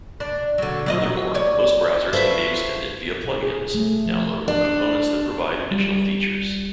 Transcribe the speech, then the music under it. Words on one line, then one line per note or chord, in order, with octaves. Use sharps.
Furthermore, most browsers can be extended via plug-ins, downloadable components that provide additional features.
D4
D3 F#3
F#3 D5 D#5
C#5 D5
F#4 A4 B4 C5 E5 F5
B2
G#4
A3
F3
D4
G3